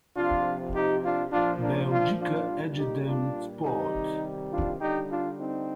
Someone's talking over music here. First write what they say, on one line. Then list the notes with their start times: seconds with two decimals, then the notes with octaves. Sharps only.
Belgica Edegem Sport.
0.16 C3 F3 D4 F4
0.74 D#4 G4
1.03 D4 F4
1.32 A#2 F3 D4 F4
1.61 A#3 D4
1.90 D4 F4
2.20 D4 F4
2.48 A#2 G3
2.77 D#4 G4
3.06 D4 F4
3.64 C3 D#3 G3 D#4 G4
4.51 D4 F4
4.80 D3 G3 D#4 G4
5.09 D4 F4
5.38 C4 D#4